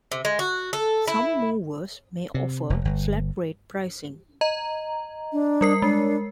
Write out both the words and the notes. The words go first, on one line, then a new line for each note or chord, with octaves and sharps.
Some movers may offer flat rate pricing.
C3
G#3
F#4
A4
E4
C3
F1
G1
D#5 A#5
D4
G3 A#4 C7
G#3 D4